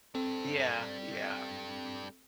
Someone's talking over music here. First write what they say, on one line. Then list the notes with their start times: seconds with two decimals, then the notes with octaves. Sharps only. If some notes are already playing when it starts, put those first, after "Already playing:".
Yeah, yeah.
0.15 G3 C4 D4 A4